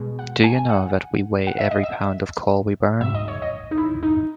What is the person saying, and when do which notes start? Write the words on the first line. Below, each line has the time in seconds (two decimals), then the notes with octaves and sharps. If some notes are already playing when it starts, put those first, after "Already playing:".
Do you know that we weigh every pound of coal we burn.
Already playing: B2 G#3
0.19 F#5
0.44 G#5
0.70 F#5
1.47 F#5
1.59 E5
1.71 D#5
1.83 E5
3.01 G#2 F#3 E5
3.15 D#5
3.28 C#5
3.42 D#5
3.71 D#4
3.78 E4
4.03 D#4